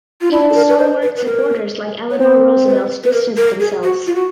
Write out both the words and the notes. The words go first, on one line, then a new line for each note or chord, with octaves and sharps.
Even "stalwart supporters" like Eleanor Roosevelt distanced themselves.
F4
D4 E4
A4
A#4
B4
C5
B4
B4
A#4
C#5
C4 C5
B4
B4
A#4
A#4
G#4
F#4
F4
F#4